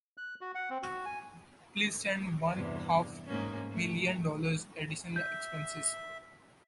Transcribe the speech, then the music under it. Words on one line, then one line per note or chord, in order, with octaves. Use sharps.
Please send one-half million dollars additional expenses.
F#6
F#4
F#5
C4
F#4
G#5
E2 G2 C3
G#2 A#3 C#4
A3
E5 G6